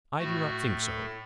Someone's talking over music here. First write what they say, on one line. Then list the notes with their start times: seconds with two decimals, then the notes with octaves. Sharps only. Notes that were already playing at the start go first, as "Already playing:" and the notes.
I do not think so.
0.18 A2 A3 F#4
0.81 A4